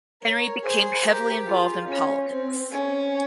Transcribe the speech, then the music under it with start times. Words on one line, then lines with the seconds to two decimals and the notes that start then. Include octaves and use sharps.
Henry became heavily involved in politics.
0.22 A#4 C#5
0.64 G#4 C5
1.05 G4 A#4
1.47 F4 G#4
1.88 C#4
2.29 C4
2.71 C#4